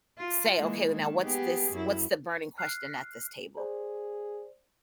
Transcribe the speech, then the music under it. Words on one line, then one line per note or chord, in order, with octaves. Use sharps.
say, "Okay, now, what's this what's the burning question at this table?"
F4
E3 G#3 A#3
D#3
B3 G4 G#4
F#2 E4
F6 F#6 C7
G#4 C5 D5